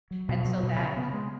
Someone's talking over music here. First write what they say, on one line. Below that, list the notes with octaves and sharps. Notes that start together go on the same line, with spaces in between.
and so that
F#3
B2
F#3
B2
C#3
B3
G#3